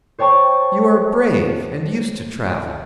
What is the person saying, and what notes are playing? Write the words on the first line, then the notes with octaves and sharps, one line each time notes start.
You are brave and used to travel.
C5 C#5 G5 A5 C#6